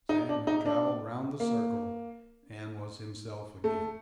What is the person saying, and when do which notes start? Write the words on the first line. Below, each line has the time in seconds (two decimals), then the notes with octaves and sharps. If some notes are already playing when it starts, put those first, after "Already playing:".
Sam had traveled round the circle and was himself again.
0.09 D#4
0.29 D4
0.47 D#4
0.66 D4
1.40 A#3
3.64 A3